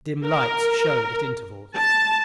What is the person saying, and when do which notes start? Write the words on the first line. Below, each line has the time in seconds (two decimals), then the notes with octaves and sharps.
Dim lights showed at intervals.
0.25 A#4
1.76 A5